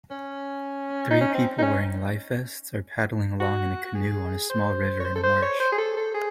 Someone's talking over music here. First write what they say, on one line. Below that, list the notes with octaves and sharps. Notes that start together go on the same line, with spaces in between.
Three people wearing lifevests are paddling along in a canoe on a small river in a marsh.
C#4
D#4
C#4
C4
D#4
C#4
F#4
F#4
G#4
C5
C#5
C5
A4
C5
C#5
C5
G#4
A4
A4
G#4